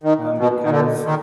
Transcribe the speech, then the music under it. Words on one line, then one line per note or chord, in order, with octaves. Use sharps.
Um, because
D#3
B2
D#3
D3
D#3